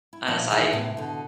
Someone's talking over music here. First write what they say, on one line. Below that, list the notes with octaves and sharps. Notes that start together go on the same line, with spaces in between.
on a site.
E4
A#2 D#3 F3 D4 C#5 E5
D#2 B2 D#3 E3 G#4 G5
A2 C3 B3 A5
B2 D3